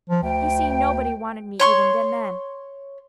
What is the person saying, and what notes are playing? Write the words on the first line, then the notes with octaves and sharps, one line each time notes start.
You see, nobody wanted me even then.
F3
D2 G5
C#5 C6 C#6